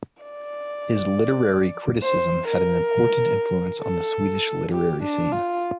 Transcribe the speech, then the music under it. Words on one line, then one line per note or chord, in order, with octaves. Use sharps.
His literary criticism had an important influence on the Swedish literary scene.
D5
C5
A#4
A4
G4
D4
F4